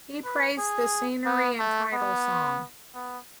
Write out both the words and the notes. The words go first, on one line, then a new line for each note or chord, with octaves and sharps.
He praised the scenery and title song.
B4
G#4
B3
A3
B3
B3